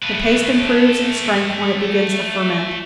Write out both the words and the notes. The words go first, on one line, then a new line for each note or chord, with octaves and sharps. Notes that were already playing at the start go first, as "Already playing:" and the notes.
The paste improves in strength when it begins to ferment.
A3 B4